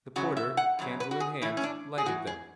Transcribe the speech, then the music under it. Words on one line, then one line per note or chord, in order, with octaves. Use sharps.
The porter, candle in hand, lighted them.
F#2 C#3 F#3 F#4
E5
F#5
F#2 C#3 F#3
B4
F#4
G#4
A2 E3 E4
C#4
D4
G#4
A2 E3 F#4
G#4